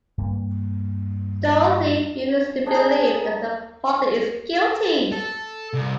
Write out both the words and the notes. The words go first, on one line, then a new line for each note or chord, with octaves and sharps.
Dorothy refuses to believe that her father is guilty.
G2 A#3
D4 D#4 G#4 G#5
A4
C2